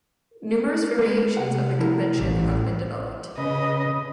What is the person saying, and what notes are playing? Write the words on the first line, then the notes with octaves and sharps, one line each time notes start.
Numerous variations of the convention have been developed.
G#3 B3 B4
C3 F#5
F3 E4 A#4
A1 E3 G3
C#3 B4 D#5